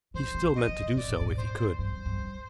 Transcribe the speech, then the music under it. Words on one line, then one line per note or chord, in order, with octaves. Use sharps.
He still meant to do so, if he could.
D#3 C5
C3
D3
D#5
C3
G#2 D5
A#2
G#2
C5
G2 C5
G2